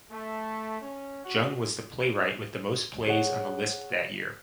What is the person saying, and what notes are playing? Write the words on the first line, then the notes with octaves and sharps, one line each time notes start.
Jung was the playwright with the most plays on the list that year.
A3
C#4
F#4
G#4 C5 C#5 F#5